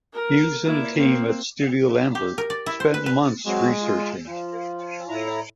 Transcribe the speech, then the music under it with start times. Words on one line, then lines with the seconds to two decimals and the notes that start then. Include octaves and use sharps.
Hughes and the team at Studio Lambert spent months researching.
0.13 A#4
0.63 A#3 E4
0.96 A#3 C4
2.15 G4
2.38 A#4
2.50 D5
2.66 E4
2.80 C5
2.94 B4
3.06 B4
3.46 F#3 G#3 C4 F#4
3.81 F4
4.28 F3 F4
5.09 A2 E4 A#5